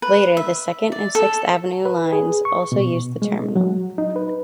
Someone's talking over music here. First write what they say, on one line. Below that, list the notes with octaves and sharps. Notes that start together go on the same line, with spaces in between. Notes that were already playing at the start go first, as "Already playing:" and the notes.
Later the Second and Sixth Avenue Lines also used the terminal.
B4
E5
D5
A4
B4
G#4
C#6
B2
G#3
F#3
D#4
B4